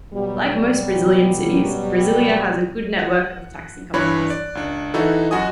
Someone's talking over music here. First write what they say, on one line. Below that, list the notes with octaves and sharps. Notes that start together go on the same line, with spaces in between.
Like most Brazilian cities, Brasilia has a good network of taxi companies.
B2 F#3 G3
F#5
G2 E3 D4 C#5 B5 F#6
D5
C#2 D4
E3 D#4 E4 F#4 A4
F#2 F#4 D#5 G#5 D#6